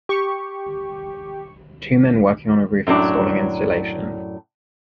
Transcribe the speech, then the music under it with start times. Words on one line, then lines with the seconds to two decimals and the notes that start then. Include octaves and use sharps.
Two men working on a roof installing insulation.
0.09 G4 C#6
2.87 F#2 A2 F#3 D4